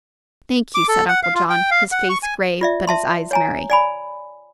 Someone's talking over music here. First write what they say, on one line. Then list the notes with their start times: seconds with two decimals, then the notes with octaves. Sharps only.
"Thank you," said Uncle John, his face grave but his eyes merry.
0.75 D6
0.88 A4
1.08 F#5
1.23 F5
1.35 F4
1.50 G5
1.71 F5
1.92 F#5
2.09 C#6
2.23 G#5
2.61 F4 D5 E5
2.87 E5 A5 C6
3.31 C#5 G#5 A#5
3.70 D5 G#5 B5